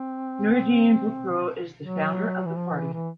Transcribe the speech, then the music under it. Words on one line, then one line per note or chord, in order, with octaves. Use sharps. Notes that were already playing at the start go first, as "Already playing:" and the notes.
Noureddine Boukrou is the founder of the party.
Already playing: C4
F#3
E3
F3
E3
E3